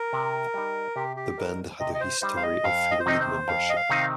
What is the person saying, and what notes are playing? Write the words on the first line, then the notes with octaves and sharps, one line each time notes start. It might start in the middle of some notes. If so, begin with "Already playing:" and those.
The band had a history of fluid membership.
Already playing: A#4
C3
G3 D#4
C3 G4
G4
G3 D#4 A#4
C3 D#5
D#5
C5
G3 D#4 C5
F5
D#5
F2 F5
D#5
C5
C3 D#3 C4 D#4 D#5
C5
F2 F5
D#5
F5
C3 D#3 C4 D#4